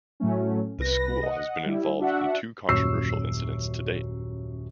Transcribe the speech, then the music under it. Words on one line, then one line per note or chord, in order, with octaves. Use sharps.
The school has been involved in two controversial incidents to date.
A2 F#3 A3 C#4
C2 B4 A#6
D#5 F#5
G3 E4
D4 F#4 E5 F#5
D#1 F#2 C#5 C#6 E6 C7